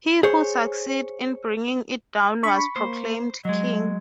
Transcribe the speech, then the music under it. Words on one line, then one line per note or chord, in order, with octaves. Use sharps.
He who succeeded in bringing it down was proclaimed King.
G#4 C5 C#5
D4 B5 C#6
A#3 C5
F#3 G#3 D#5